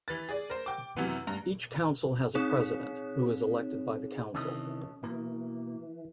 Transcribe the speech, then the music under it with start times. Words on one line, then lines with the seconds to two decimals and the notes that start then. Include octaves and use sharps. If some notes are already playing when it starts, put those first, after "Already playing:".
Each council has a president, who is elected by the council.
0.08 E3 B4 A6
0.29 G#4 D5
0.50 A#4 C5
0.66 G5 D6
0.96 F#2 C3 E3 B3
1.27 G2 A#5
2.35 C4 D#4 G#4 C#5
4.35 C3 D#3 E3 C#4 A4 D#5
5.03 B2 E3 A#3